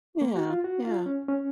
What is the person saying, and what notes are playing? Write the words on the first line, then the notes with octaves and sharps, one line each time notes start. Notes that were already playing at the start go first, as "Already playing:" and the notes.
Yeah. Yeah.
A#3
F#4
F4
F#4
F4
C#4
C#4